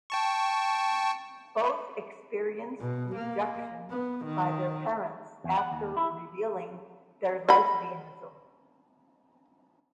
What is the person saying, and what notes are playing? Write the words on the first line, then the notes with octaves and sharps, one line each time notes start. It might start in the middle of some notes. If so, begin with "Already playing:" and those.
Both experienced rejection by their parents after revealing their lesbianism.
G5 A5 C#6
B2
A#3
B3
D#3
E2
F#5
D#2
E4
D#5 B5